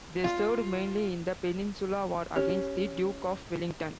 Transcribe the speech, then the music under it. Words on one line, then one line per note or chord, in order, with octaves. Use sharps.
They served mainly in the Peninsula War against the Duke of Wellington.
F4
C#4 G4